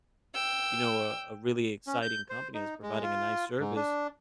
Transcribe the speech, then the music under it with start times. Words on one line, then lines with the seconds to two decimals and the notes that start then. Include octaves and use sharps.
you know, a a really exciting company that's providing a nice service,
0.35 G5 E6
1.87 C#4
2.02 G6
2.30 C5
2.54 D#4
2.82 G#3
3.03 F4
3.60 G#2
3.76 D4